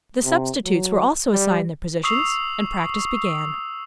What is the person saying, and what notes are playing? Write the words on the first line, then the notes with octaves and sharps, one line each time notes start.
The substitutes were also assigned their positions and practice began.
C3
F#3
G3
C#6 D#6 E6 C7 F7